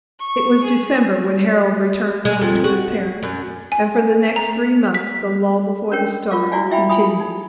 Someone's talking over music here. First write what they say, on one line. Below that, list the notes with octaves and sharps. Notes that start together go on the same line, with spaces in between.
It was December when Harold returned home to his parents, and for the next three months the lull before the storm continued.
C#6
G#4
G#3
F2
F#4
F#2
G#5
A#5
B6
C#4 D4 A#4 C#5 G5
F4 A#4 F5 D6
E4 F#4 D5 F5 G#5
E4 E5 G5 G#5 B5
F4 G#5 B5 D#6
D#4